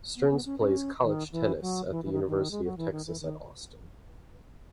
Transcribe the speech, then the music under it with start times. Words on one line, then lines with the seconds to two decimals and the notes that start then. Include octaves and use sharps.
Stearns plays college tennis at the University of Texas at Austin.
0.16 B3
0.30 B3
0.45 C#4
0.60 C#4
1.03 D#3
1.32 E3
1.61 F#3
1.90 E3
2.05 E3
2.12 D#3
2.27 D#3
2.51 G#3
2.64 F#3
2.77 E3
2.92 D#3
3.06 E3
3.21 D#3